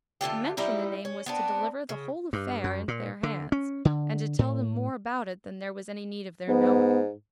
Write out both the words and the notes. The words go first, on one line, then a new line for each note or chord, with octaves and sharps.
To mention the name was to deliver the whole "affair" into their hands, and to tell them more about it than there was any need of their knowing.
D3 A3 F4 G4
F3 G3 D#4 E4
C#4
B3 C4 D4
C#3
G2
F#2
A#2
D3
C#4
D3
A2
G#2 B3